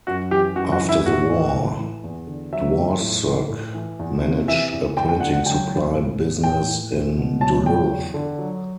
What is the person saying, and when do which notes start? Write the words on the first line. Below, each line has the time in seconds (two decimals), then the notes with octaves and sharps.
After the war, Dworshak managed a printing supply business in Duluth.
0.07 F#2 F#4
0.31 E3 G4
0.56 F#2 F#4
0.72 F#4
0.81 E3
0.89 E4
1.06 A2 F#4
1.29 E3
1.54 A2
1.79 E3
2.04 E2
2.27 D3
2.53 F#3 E5
2.77 E2
3.01 A2
3.25 E3
3.49 A2
3.74 E3
3.99 E2
4.23 C3
4.48 E3 E5
4.72 E2
4.97 E2 G5
5.09 G5
5.20 D3 F#5
5.33 F#5
5.46 F#3 G5
5.70 E2
5.94 A2
6.18 E3
6.44 A2 G5
6.67 E3
6.92 E2
7.17 B2
7.41 F#3 A5
7.65 E2 G5
7.91 E2
8.14 D3
8.39 F#3